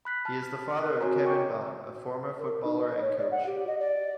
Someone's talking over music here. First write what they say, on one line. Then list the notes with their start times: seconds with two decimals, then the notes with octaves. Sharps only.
He is the father of Kevin Bond, a former footballer and coach.
0.05 B5 F#6 B6 C7
0.25 A5 F6
0.42 F6
0.82 A#4 D#5 F#6
1.01 C4 F#4 C#5 G#5 A#5
1.26 G5 C#6 D6
2.39 A#4
2.64 D#4
2.80 D#5
3.01 C#5
3.18 D5
3.31 F#5
3.46 G4
3.67 D#5
3.80 D5